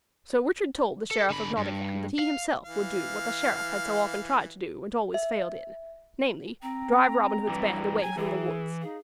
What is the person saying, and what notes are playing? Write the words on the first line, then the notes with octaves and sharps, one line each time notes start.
So Richard told the Sheriff of Nottingham that he himself would do what the Sheriff had so often tried to do and always failed in--namely drive Robin Hood's band away from the woods.
A4
D3 B5
G2
F5
E3 F5
E5
C4 G5 A#5
G2 E3
F#3 G#5
E3 G#4
D#4 G#4 F5